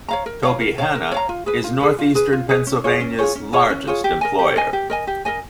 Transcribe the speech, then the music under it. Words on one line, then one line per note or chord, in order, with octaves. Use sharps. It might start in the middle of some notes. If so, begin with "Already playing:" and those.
Tobyhanna is Northeastern Pennsylvania's largest employer.
C#5 F5 A#5
A#4
C#5 F5 A#5
A#4
C#5 F5 A#5
A#4
C#5 F5 A#5
F4
G#4 B4
F4
G#4 B4
F4
G#4 B4
F4
G#4 B4
C#4
F4 G#4 C#5
C#4
F4 G#4 C#5
C#4
F4 G#4 C#5
C#4
F4 G#4 C#5
G4
A#4 D#5 G#5
G4
A#4 D#5 G#5
G4
A#4 D#5 G#5
G4
A#4 D#5 G#5